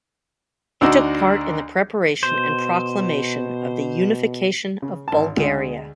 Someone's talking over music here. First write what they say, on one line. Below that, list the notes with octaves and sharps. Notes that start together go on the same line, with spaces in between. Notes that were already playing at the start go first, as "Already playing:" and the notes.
He took part in the preparation and proclamation of the Unification of Bulgaria.
D2 D4 D#4 F#4 E6
B2 C5
C#3
G#1 A5
D2 G#3